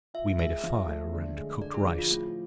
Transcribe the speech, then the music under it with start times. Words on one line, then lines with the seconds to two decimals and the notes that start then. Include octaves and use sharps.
We made a fire and cooked rice.
0.14 F4 E5
0.38 G#3 E5
0.64 F3
0.88 A3
1.13 D3
1.37 G#3
1.62 D3 D5
1.74 G#4
1.86 F3 G#4
1.99 F4
2.11 A2 F4